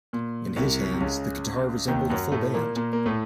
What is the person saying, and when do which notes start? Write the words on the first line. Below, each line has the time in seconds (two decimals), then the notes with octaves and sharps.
In his hands, the guitar resembled a full band.
0.13 A#2
0.56 C2 C3
0.93 C3
1.01 C#2 C#3
1.88 D#2 D#3
2.10 F#2 F#3
2.32 A2 A3
2.54 A#2 A#3
2.76 A#2 A#3
2.93 A#3
3.06 A2 A3